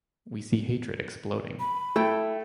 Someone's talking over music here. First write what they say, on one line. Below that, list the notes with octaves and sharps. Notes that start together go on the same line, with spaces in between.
We see hatred exploding.
B5
A3 E4 G5